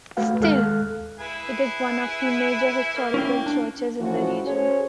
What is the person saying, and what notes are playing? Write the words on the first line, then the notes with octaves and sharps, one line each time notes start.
Still, it is one of the major historical churches in the region.
A3 F#4 B4 F5 F#5
D#2 G#3 A4 F5 F6 F#6
E4 G#4 B4
A#3
A#3 C#4 E4 G5
D4
A2 E3 F3 C#4 E4 F#4
C#4 F#4 G#4 A4 C5 C#5